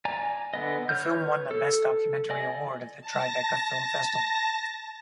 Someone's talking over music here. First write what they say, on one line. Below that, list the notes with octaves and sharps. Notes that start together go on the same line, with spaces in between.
The film won the Best Documentary Award at the Tribeca Film Festival.
D5 G#5 A#5
D3 B3 D#5
B4 C#5 F6 G6
A4
D5 D#5 G#5
A5 A#6